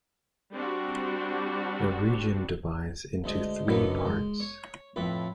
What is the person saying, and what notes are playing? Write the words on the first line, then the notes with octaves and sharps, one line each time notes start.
The region divides into three parts.
G3 C4 D4 F#4
D2 G#3 D#5
F#2 D3 F#3 A#3 B3 D#4
G#3
C#5
F2 A2 B4